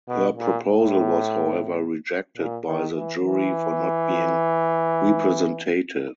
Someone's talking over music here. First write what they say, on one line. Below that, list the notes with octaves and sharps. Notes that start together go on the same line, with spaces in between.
Her proposal was however rejected by the jury for not being representative.
B2
A#2
A2
A#2
D#3
E3
E3